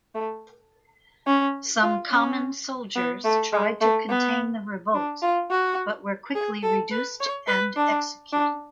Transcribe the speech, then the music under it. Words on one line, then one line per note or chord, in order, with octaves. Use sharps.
Some common soldiers tried to contain the revolt but were quickly reduced and executed.
A3
C#4
F4
C#4
B3
A3
G#3
A3
B3
D4
F4
F#4
G#4
A4
B4
C#5
B4
D4
D4